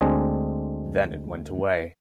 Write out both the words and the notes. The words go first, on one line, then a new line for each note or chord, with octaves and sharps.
Then it went away.
D2 G#3 C4 D4 D#5 G#5